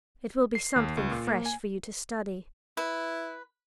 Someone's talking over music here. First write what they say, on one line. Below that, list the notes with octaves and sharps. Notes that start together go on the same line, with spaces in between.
"It will be something fresh for you to study."
C7
D#2
C#2
A#2
A#3
G#5
E4 B4